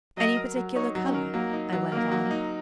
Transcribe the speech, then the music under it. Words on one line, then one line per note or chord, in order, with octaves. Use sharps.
"Any particular color?" I went on.
F#3 D#5
A#4
F#3
D#4 C#5
F#3
C#4
A#4
F#3 A#3
D#4
F#3
A#3 A#4
F#3
D#4